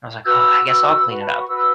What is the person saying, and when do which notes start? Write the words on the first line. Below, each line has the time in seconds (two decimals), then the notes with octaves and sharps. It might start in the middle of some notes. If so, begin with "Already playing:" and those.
I was like, "Oh, I guess I'll clean it up."
0.24 F#4 B4 E6
0.65 F#4 B4
1.06 F#4 B4
1.19 A5
1.27 B5
1.38 C#6
1.47 F#4 B4 E6